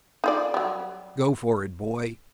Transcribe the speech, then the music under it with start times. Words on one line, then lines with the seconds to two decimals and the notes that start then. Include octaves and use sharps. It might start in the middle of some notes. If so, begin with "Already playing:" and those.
Go for it, boy.
0.24 D#4 F4 D5
0.54 F#3 G3